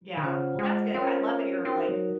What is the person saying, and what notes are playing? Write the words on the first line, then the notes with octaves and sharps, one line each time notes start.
Yeah. Well that's good, I love that you're like
D#3
C#3 F4 C5 F#5
G#3
C4 C#4 F4 A#4 C#5
C4 D#4 F#4 A#4
F#3